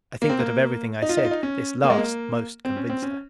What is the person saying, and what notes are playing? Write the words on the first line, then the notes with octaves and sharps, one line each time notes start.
I think that of everything I said, this last most convinced her.
A#3
C4
A#3
D#4
F4
D#4
F4
D#4
C#4
A#3
G#3
A#3
C4
C#4
C4
C#4